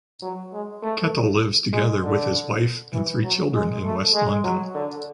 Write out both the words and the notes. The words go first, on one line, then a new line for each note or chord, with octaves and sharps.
Kettle lives together with his wife and three children in West London.
F#3
G#3
A3
G#3
D3
E3
F#3
G#3
A3
G#3
F#3
D3